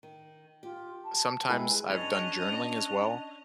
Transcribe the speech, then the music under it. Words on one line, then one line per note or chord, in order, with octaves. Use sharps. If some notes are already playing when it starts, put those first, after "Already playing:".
sometimes I've done journaling as well.
D#3
F4 G4
A5
G#3 E4 G#4 B4 G5
C#4 D4 C#5 D#5 F7